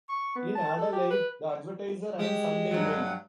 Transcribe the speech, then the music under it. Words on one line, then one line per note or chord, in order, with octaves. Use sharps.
In Adelaide, "The Advertiser" and "Sunday Mail".
C#6
B3
A5
A4
G4
B4
G#3 G4
G2 F#3